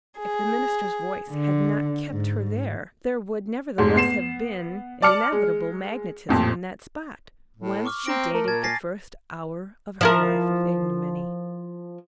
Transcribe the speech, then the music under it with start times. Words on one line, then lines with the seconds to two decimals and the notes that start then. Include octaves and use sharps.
If the minister's voice had not kept her there, there would, nevertheless, have been an inevitable magnetism in that spot, whence she dated the first hour of her life of ignominy.
0.19 G#4
1.31 D3
2.10 G#2
3.78 F1 G#2
3.96 B3 C7 E7
5.02 D5 A5 D6 F6 C#7
5.32 G#3
6.29 A1 F2 A#2
7.57 A2
7.85 C#6 D6 F6
8.06 C4 A#5 A#6 D7
8.34 A3 A#4
8.48 A#2 A5 G#6 A6
8.63 G#5 A6 A#6 C7
10.01 F3 E4 A#4